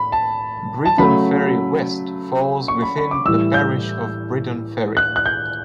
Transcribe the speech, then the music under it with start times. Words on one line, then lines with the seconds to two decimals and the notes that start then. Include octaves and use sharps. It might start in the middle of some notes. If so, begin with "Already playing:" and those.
Briton Ferry West falls within the parish of Briton Ferry.
Already playing: A2 B5
0.12 A5
0.85 A5
0.98 C#3 F#3 A3 B5
2.68 C#6
2.82 B5
2.98 B5
3.11 D6
3.25 A2 E3 G3 E6
3.54 G6
4.97 F#6
5.16 F#6
5.26 G6